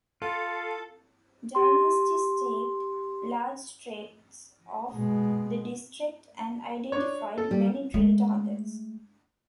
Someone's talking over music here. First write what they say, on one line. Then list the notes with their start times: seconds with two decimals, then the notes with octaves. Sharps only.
Dynasty staked large tracts of the district and identified many drill targets.
0.22 F4 A4
1.55 G4 C6
4.93 B2 G#3
6.92 D4 C#5
7.38 A4
7.51 G3
7.94 G#3 A3